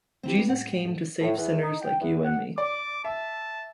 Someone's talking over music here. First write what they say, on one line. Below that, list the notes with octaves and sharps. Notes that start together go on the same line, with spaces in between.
Jesus came to save sinners like you and me.
C4 E4 G4
A#3 D#4 B4
A2 G3 F#5 G5
F#2 A2 A3
A2
E2
D#4
G5
E2
F#5
D5 D6
E5 A5